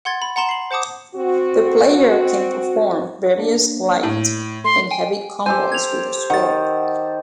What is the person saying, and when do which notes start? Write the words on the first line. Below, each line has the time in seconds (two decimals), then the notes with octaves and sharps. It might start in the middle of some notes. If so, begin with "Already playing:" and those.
The player can perform various light and heavy combos with the sword.
0.05 F#5 C6 G#6 A6
0.22 B5
0.36 F#5 A#5 C6 E7
0.49 C7 F#7
0.71 C5 F#5 A5 D6 D#6
1.15 C4 F#4
3.38 A#3 D4
4.03 A2
4.64 A3 C6
4.91 G5 G#5
5.46 G4 A4 C5 G#5
5.72 G#6 F7
6.30 D#3 F#5 A6